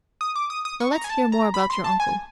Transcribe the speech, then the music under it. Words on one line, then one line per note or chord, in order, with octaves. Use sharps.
"Now let's hear more about your uncle."
D#6
D6
D#6
D#6
C#6
A#5
G#5
A5
A#5
B5
C6
A5
G#5